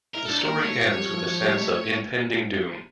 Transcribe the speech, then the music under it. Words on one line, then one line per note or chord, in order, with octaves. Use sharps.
The story ends with a sense of impending doom.
E4 A#4
D4 A4
A#4
A#3
A3 C#5
G3
F3
F3
G3
A3